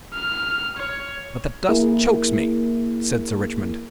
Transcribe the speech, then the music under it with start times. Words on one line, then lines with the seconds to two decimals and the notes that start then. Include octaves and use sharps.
"But the dust chokes me," said Sir Richmond.
0.14 F6
0.77 C#5
1.68 A#3 E4 G#4 A#4